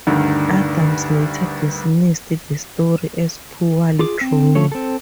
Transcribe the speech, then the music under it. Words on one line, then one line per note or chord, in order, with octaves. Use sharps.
Adams later dismissed the story as poorly drawn.
D2 G2 D3 D#3
F4 G#4 D6
C4
F3 A3 C#4 C#5
C4 A4